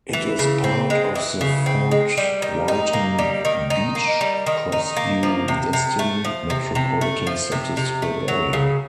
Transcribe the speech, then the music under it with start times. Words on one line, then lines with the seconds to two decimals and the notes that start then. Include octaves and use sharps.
It is part of the Fort Walton Beach-Crestview-Destin Metropolitan Statistical Area.
0.13 E3
0.39 C#3
0.64 C4
0.90 G#3
1.15 E3
1.41 C#3
1.66 C4
1.91 G#3
2.17 G3
2.42 D#3
2.68 D#4
2.93 A#3
3.19 G3
3.45 D#3
3.70 D#4
3.95 A#3
4.21 G3
4.46 D#3
4.72 D#4
4.97 A#3
5.23 F3
5.48 C3
5.73 C3
5.99 A3
6.25 F3
6.50 C3
6.75 C3
7.01 A3
7.27 F3
7.52 C3
7.77 C3
8.02 A3
8.28 F#3
8.53 C#3